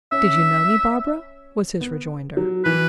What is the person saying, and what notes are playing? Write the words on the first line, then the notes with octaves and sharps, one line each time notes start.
"Did you know me, Barbara?" was his rejoinder.
C#4 E5
B3
F#3
E3 B4